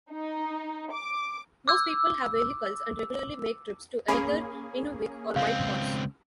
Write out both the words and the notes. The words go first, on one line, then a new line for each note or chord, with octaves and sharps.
Most people have vehicles and regularly make trips to either Inuvik, or Whitehorse.
D#4
D6
D6 E6
A#3 C#4 G#4 B5
C#2 C4 F5